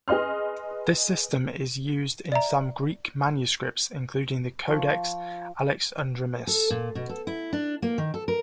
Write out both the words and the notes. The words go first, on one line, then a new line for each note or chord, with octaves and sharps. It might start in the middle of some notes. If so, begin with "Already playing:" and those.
This system is used in some Greek manuscripts including the Codex Alexandrinus.
G#4 B4 D#5 C6 F6
D5 E5 A#5
F3 C#6
A4
A#2
B2
A4
E4
D4
A#3
D#3
A4
A#4